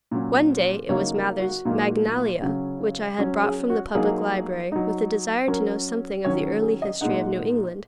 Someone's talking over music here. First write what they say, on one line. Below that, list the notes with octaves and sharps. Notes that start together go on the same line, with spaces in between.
One day it was Mather's "Magnalia," which I had brought from the public library, with a desire to know something of the early history of New England.
A#2 F#3 C#4
C#3 F#3 A#3 D#4 C#5
A#4
F#4
A#2 F#3 A#3 D#4
C#3 F#3 C#4
F#3 C#4
G#4
F#4
F#3 A#3 D#4 G#4
F#3 D#4
F#3 C#4 A#4
D#3 F#3 C#4 C#5
G#4
D#5
A#2 G#3 D#4 F#5